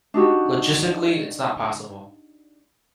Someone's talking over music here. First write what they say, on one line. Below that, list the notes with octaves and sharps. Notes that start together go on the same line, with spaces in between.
Logistically it's not possible.
D4 D#4 F#4 G4